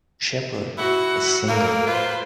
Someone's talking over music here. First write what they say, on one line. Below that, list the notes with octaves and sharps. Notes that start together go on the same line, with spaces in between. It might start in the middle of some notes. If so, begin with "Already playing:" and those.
Shepherd is single.
E4 F#4 F#5
A#3 A4 A#4
F4 B4 C5